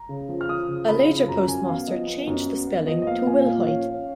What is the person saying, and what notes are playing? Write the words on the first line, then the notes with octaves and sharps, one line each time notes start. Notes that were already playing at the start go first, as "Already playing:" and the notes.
A later postmaster changed the spelling to "Willhoit".
Already playing: A#5
C#3
F3
F6
F3 D#6
C#3
C#3 B5
F3
F#2 A#5
F#2 G#5
B3 F5
F3 D#5
B3
F#2
B3
B3
F3 D#5
D#5
A#3 F5
A#2 G#5
F3 F5
C#4 F5
C#4